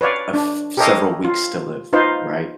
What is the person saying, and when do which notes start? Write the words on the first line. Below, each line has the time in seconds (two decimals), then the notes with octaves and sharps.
a th several weeks still live, right?
0.01 B4 C#5 D5 F5
0.34 D4
0.77 G4 A4 A#4 C#5 D#5 F5
1.24 F4
1.93 D#4 F4 B4 C5 F5